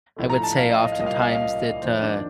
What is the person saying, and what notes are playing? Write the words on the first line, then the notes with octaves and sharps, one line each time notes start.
I would say oftentimes that, uh,
A#1 A2 F3 A3
A#5
A5
F5
D#5
D#5
F5
C2 A#2 G3 A#3 D#5
F5
D#5
F5
D#5
F5
D#5
F2 D#3 A#3 C5
D4